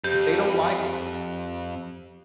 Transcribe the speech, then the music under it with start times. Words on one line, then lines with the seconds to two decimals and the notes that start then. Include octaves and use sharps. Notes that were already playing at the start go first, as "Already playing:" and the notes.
But, they don't like it,
0.04 F2 G4 G6